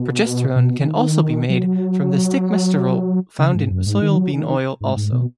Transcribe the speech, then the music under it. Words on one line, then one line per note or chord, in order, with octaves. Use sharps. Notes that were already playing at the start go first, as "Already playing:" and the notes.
Progesterone can also be made from the stigmasterol found in soybean oil also.
Already playing: B2
B2
D#3
F#3
C#3
G#2
F#2
G#2
D#3
F#3
D#3
G#2
G#2
B2